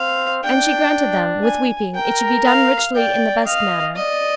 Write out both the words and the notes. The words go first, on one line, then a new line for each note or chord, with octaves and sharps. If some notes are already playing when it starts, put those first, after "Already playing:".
And she granted them, with weeping, it should be done richly in the best manner.
Already playing: C4 F5
D4 G5
G#5
A#4 G5
F5
D5 G5
D#5 F5
D5 D#5